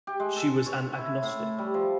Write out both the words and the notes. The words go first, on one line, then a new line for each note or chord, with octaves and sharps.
She was an agnostic.
G4
G#3
A4
C#5
E4
A2
G3
F3